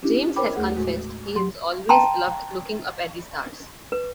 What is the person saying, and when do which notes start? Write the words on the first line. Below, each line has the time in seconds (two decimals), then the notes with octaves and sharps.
James has confessed he has always loved looking up at the stars.
0.03 C#4 D4 E4 G4
0.36 A#4 C5 C#5 G5 B5 D6
0.56 D#2 A3 G#4 F#5
0.76 A2 G#3 F#4
1.35 F#3 G4 C6
1.89 G5 A5 A#5 C6
3.92 B4